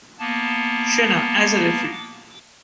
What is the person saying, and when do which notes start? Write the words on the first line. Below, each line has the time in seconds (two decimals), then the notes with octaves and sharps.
Shena as a referee.
0.19 A#3 B3 A5